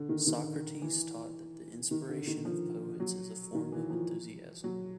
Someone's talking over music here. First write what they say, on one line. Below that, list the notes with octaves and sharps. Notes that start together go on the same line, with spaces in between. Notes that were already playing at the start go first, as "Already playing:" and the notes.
Socrates taught that the inspiration of poets is a form of enthusiasm.
Already playing: D3
D#3
D#3
E3
D#3
D3
D#3
F3
F#3
D#3
E3
F3
F#3